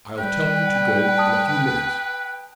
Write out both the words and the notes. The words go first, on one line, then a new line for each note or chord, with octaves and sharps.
"I'll tell you to go in a few minutes."
G3 B4 G5
A5 D#6